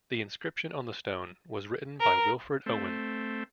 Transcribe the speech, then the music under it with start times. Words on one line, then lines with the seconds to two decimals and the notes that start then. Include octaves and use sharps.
The inscription on the stone was written by Wilfred Owen.
2.01 A#4
2.66 A3 C4